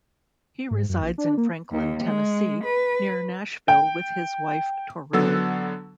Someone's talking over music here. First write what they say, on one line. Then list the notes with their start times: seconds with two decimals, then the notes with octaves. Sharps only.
He resides in Franklin, Tennessee, near Nashville, with his wife Toril.
0.71 G#2
0.89 F#2
1.02 A#1
1.18 D4
1.38 A#3
1.71 D#2
2.04 G#3
2.64 B4
3.68 G5
5.13 D3 F#3 B3 A4 F#5 E6